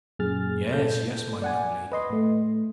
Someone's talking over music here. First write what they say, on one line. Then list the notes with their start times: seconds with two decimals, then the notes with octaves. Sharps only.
Yes--yes, my young lady!
0.19 F#2 A#2 G#4 F6 A6
0.73 A#2 A4 G6
1.42 D5 F#5 G#5
1.92 B4 D#5 C6
2.10 A2 A3